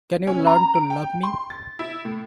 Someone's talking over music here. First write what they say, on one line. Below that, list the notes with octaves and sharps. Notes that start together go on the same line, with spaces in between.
Can you learn to love me?
C#4
A#5
D7
G5
C6
A6
E4
A2